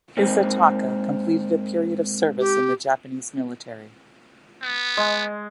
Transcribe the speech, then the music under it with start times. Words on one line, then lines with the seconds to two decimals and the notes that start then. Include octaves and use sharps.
Hisataka completed a period of service in the Japanese military.
0.17 G#2 A#3 C4
2.39 G4
4.62 B3
4.97 G#3